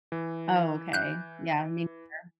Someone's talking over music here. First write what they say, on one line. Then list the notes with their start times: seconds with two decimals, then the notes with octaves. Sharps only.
Oh, okay. Yeah. Mean girl.
0.12 E3
0.93 F#6 G6